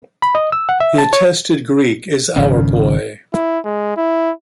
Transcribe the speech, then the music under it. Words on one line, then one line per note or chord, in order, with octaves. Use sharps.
The attested Greek is Auarpoi.
B5
D#5
E6
F#5
E5
A5
C#5
G#1 C#3 F3 C#4
E4
G#3
E4